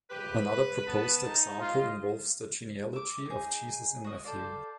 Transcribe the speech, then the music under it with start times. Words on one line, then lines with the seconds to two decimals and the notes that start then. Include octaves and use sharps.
Another proposed example involves the genealogy of Jesus in Matthew.
0.10 G4 B4
0.48 B5
0.87 B3 A5
1.26 D#4
1.59 F4 D#5
2.93 E5 D6
3.26 D#4 G#4
4.04 F#4 D#5
4.24 A4 C5 D5 F5